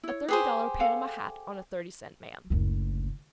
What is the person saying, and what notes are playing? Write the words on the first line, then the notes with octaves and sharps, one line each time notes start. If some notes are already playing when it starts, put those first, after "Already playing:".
A thirty-dollar Panama hat on a thirty-cent man.
E4 C#5
G4 G#4 B4 C5
A4 F5 F#5
F#1 D2